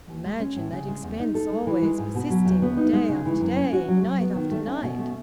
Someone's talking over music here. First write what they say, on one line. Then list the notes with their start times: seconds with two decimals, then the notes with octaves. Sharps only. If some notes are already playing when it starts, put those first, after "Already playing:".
Imagine that expense always persisting, day after day, night after night!
0.09 D#2
0.25 G#3
0.40 C#4
0.56 A2
0.72 C#3
0.88 G#3
1.03 E2
1.20 D#4
1.35 A4
1.51 G#3
1.67 E3
1.82 G#3
1.98 G#2
2.15 B2
2.30 F#3
2.45 E2
2.62 B3
2.77 D#4
2.93 G#3
3.09 C#3
3.25 E3
3.40 F#2
3.57 C#4
3.73 F#4
3.88 F#3
4.03 F#3
4.20 B3
4.35 D#3
4.51 A3
4.67 C#4
4.83 B2
4.99 A3